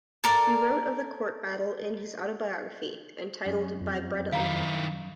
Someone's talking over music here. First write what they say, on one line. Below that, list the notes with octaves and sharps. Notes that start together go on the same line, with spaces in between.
He wrote of the court battle in his autobiography, entitled "By Bread Alone".
A4 A#4 D5
F#2 C#4
F2
D#3 E4 F5 A#5